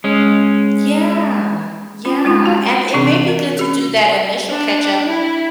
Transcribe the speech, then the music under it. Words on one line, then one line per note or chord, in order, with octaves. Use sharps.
Yeah. Yeah, and it may be good to do that initial catch-up
G#3 C#4
C#4 F4
G#3 D#4 F4
D#4 F#4 F5
C3 E3 C4 D4 G#4
A#4
C#4 F#4 G#4
D4
E4